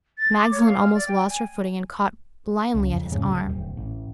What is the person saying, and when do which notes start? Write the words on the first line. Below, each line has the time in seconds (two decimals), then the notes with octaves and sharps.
Magdalen almost lost her footing and caught blindly at his arm.
0.18 A6
0.37 D6
0.52 C#5
0.66 F5
0.79 F6
0.94 D5
1.08 G5
1.29 G#5
2.74 C#2
2.93 F2
3.12 G#2 C#3
3.24 D1
3.49 D1
3.77 A1